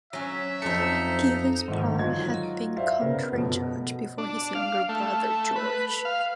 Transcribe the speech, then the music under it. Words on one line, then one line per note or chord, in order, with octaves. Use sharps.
Givens Parr had been county judge before his younger brother George.
F#3 C#4 E5
F2 D#4 A4 C5 C#7
G#2 D3 D#3
F#3 D#4 F4 F#4 F5 G#6
C5 D5 E5 F5
C#3 B3 A#4
F#2 B2 F3 A3 B3
B2
D4
F5
A3
B4
F5